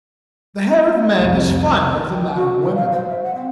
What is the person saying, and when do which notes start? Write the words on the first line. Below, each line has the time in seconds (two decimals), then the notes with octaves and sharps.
The hair of men is finer than that of women.
1.18 C2 F2
2.10 G5
2.35 F#4
2.62 B4
2.74 F5
2.92 C5
3.08 E5
3.22 F#5
3.35 C4